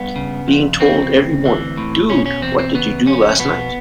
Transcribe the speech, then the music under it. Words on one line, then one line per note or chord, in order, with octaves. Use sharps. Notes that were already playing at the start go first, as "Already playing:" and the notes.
Being told every morning, Dude, what did you do last night?
Already playing: G2 B3
C#3
F2
C#3 C4
D2
E3
A2
B2 C#4
C#4
E2 C4
C4
C#3 B3
F2 C#4
B2 B3